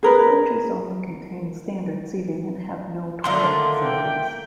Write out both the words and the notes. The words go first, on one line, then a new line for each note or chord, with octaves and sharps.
The coaches only contain standard seating and have no toilet facilities.
G#4 A#4 B4
D3 D#3 A3 A#3 F4 C6
G5